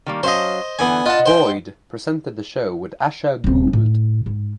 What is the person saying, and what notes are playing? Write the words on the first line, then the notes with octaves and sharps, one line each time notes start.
Boyd presented the show with Asher Gould.
D#3 G3 A#3
F#3 C#4 C5 D#5 F5
D3 E3 B3 G#5
F4 D#5 F#5 A5
C5 G5
D#1 C4
A2
G#2